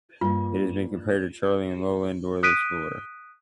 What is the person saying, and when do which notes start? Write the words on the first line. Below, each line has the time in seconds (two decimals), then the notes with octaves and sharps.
It has been compared to Charlie and Lola and Dora the Explorer.
0.21 G2 A#3 F4
2.43 D#6 F#6 B6 D7 D#7